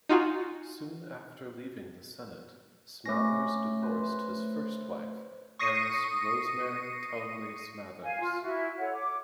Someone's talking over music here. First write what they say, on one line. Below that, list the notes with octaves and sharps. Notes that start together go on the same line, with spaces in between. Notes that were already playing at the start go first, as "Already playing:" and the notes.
Soon after leaving the Senate, Smathers divorced his first wife, heiress Rosemary Townley Smathers.
D#4 F4 F#4 G#5
A3 C#4 A#6
B4 C5
C#6 D#6 A#6 C7 C#7 D#7
F5 G#5
F4
E4 F#4 E5
A4 C#5 F#5
D6